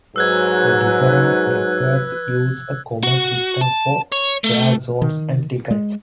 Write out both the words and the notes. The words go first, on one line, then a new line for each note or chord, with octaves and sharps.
The different networks use a common system for fare zones and tickets.
G#2 F#3 B4 E6 F#6 G#6
F#4
A5
C#5
A3
D#3
G#3